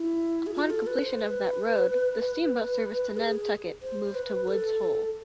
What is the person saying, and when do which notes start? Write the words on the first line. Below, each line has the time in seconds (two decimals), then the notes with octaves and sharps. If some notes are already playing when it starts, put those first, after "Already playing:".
Upon completion of that road, the steamboat service to Nantucket moved to Woods Hole.
Already playing: E4
0.47 G#4
0.54 F4
0.70 A4
0.87 B4
1.03 C5
1.20 B4
3.17 G#4
3.82 C5
4.15 B4
4.48 A4